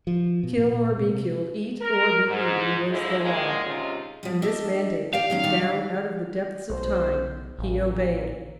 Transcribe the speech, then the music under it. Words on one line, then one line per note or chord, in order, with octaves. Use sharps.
Kill or be killed, eat or be eaten, was the law; and this mandate, down out of the depths of Time, he obeyed.
F3
B2
A#2
C3
A#4
G#2
G#2 D3 F3 G#3 E4
A#2 D#3 G#3
C3 G#3 C#4 D#4 F4
F3 G3
D4 D#5 E5
G4 D5 F5 G5
D#3 F#3 C#4
D#3 G3 D4
B1 C5
A1 A#2